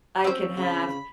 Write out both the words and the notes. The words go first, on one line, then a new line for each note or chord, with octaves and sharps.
I can have
C4 C#4 F#4 C5 E6
C#3 B5